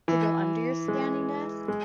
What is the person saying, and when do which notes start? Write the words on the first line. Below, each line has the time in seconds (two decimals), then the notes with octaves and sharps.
to go under your standing desk?
0.08 E3
0.88 G#3
1.68 G#3